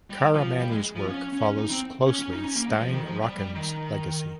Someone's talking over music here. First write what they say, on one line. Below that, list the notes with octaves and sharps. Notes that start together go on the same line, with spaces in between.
Caramani’s work follows closely Stein Rokkan’s legacy.
G3
F3
G3
G#3
F3
C#4
C#4
D#4
C4
C#4
C#4
D#4
C#4
A#3
G#3
F3
D#3
F3
G3
G3
D#3